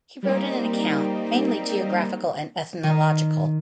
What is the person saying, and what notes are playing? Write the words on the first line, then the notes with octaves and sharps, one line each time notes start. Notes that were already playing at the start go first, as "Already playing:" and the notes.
He wrote an account, mainly geographical and ethnological.
G3 A#3 C4 D#4
D#3